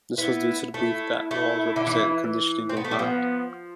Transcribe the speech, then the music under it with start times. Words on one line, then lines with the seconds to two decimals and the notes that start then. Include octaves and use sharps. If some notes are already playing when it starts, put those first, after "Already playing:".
This was due to his belief that walls represent conditioning of mind.
0.18 B3 E4
0.74 A3 E4
1.31 A3
1.76 D3
1.87 E3
2.69 C4
2.77 B3
2.84 A3
2.91 G3
2.98 F3 B3